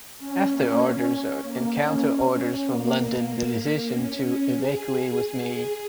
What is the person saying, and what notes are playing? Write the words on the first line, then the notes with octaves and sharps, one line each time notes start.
After orders and counterorders from London, the decision to evacuate was made.
C#4
A#3
C#4
C#4
A#3
C#4
A#3
A#3
C#4
C#4
G#4
G#4
G#4